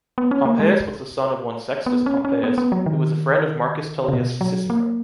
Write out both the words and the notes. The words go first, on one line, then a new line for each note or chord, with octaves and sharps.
Pompeius was the son of one Sextus Pompeius, who was a friend of Marcus Tullius Cicero.
B3
C#4
A#3
G#3
B3
C#4
C#4
B3
B3
F#3
D#3
C#3
B2
F#3
A#3